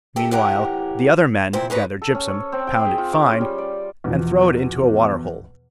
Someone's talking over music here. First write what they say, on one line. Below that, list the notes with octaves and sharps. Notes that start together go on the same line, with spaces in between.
Meanwhile the other men gather gypsum, pound it fine, and throw it into a water-hole.
G4 A4 A#4 E5
A2 E3 G4 A#4 F#5
A#2 C4 E4 C5
G#2 C#4 B4 A#5
A4
C#4
C#5
C4
G5
G#4
F4
D6
C#4
G3
D5
E2 B2 F3